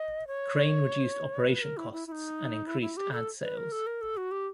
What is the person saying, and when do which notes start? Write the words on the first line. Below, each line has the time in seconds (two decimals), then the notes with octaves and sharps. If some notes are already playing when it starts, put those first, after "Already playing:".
Crane reduced operation costs and increased ad sales.
Already playing: D#5
0.27 C#5
1.47 B4
1.62 A#4
1.77 E4
1.92 E4
2.07 E4
2.12 D#4
2.67 E4
2.81 E4
2.97 G4
3.12 A4
3.42 B4
3.57 A#4
3.72 A4
3.87 A#4
4.01 A4
4.17 F#4
4.31 G4